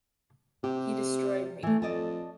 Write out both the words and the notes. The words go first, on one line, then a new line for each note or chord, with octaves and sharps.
He destroyed me.
C3 G4
E3 A3
F2 D5 D#5 A5